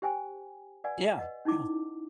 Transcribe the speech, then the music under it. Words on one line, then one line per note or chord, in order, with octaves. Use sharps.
Yeah. Yeah.
G4 C5 G5 G#5
B4 D5 F#5 G#5
B4 D#5 F#5
C#4 D#4 E4 D6